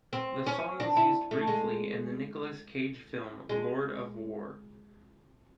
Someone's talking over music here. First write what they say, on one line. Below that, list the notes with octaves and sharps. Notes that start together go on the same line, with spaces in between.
The song was used briefly in the Nicolas Cage film "Lord of War".
C4
C#4
D4
E4
A3
G#3
G#3